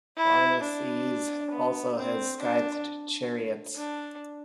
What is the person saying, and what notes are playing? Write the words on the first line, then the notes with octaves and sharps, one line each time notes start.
Pharnaces also had scythed chariots.
E4
D4
B3
C4
D4
D4